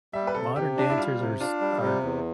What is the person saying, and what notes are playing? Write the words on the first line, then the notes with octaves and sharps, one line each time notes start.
modern dancers are s are
G3 E5
B4
C3 A4
C3 G4
D4
E4
G3 F4
C3
D4 F4
G3
C3
E2